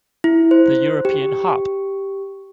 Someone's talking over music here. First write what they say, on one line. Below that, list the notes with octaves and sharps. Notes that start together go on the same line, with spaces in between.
The European Hop!
E4
C5
G4